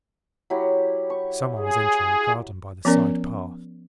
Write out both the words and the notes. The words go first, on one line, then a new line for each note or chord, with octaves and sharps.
Someone was entering the garden by the side path.
F#3 E4 G4
C#6
G#4
F3 B3 C#4 A#4 D5